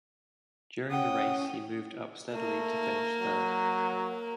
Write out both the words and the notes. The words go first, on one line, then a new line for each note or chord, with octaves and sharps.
During the race, he moved up steadily to finish third.
C#4 F#5 G5 D#6
A3 A#3
F#3